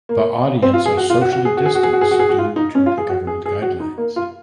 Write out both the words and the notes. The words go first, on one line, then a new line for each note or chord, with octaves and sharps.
The audience are socially distanced due to the Government guidelines.
A#3
C4
F4
G#4
F#4
F4
F#4
F#4
G#4
F#4
G#4
F#4
G#4
F#4
G#4
F#4
G#4
F#4
F4
D#4
C#4
F4
G#4
F#4
G#4
G#4
F#4
D#4
A#3
F4